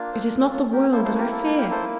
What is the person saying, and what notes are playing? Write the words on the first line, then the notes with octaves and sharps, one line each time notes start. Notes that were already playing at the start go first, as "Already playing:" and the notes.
It is not the world that I fear!
Already playing: A#3 D4 F4
A4 C5
G4
A4
G4 A#4
A#3 E4 A4 C5
A4 C5
G4 A#4
A4
A4
G4 A#4
A4 C5